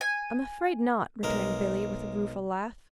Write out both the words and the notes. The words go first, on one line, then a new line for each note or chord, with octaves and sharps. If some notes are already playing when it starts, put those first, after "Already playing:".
"I'm afraid not," returned Billy, with a rueful laugh.
G#5
B1 G#3 A#4